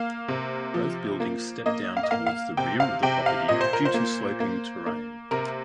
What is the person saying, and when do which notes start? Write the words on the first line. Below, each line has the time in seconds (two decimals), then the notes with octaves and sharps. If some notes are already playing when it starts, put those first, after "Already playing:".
Both buildings step down towards the rear of the property due to sloping terrain.
Already playing: A#3 F5
0.28 C3
0.74 F3
1.20 A#3
1.66 A#3 D#5
1.97 F5
2.03 D#5
2.11 A#3 F5
2.27 F5
2.57 C3 G5
2.80 F5
3.03 C3 G5
3.26 F5
3.49 A#2 D#5
3.61 C5
3.73 A#4
3.85 C5
3.94 A#3
4.40 A#3
4.86 A#3
5.31 C3 A#4